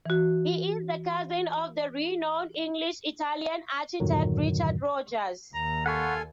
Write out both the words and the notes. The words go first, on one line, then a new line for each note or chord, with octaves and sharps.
He is the cousin of the renowned English-Italian architect Richard Rogers.
E3 F#4
E2 G2 A#2 D3 D#3 F#3
D#2 A#5
F4 A4 F#5 G#5 B5 C#6